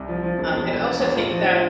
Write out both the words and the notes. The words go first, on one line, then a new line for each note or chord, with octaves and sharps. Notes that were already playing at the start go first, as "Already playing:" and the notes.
um, and I also think that,
Already playing: C2
F3
F3
E1
E1
E1
E1
E2
A2 F4
C4
F3
D4
F4